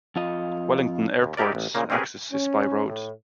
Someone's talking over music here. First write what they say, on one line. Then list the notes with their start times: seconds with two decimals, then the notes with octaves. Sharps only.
Wellington Airport's access is by road.
0.16 F2 F4 D#5
1.22 D#2
1.37 D#4 E4 G4 A#4 D5
1.55 A1
1.74 A#2 C#3 A#3
1.90 C4 C#4 G4 G#4 A#4 B4
2.31 C#4
2.87 A2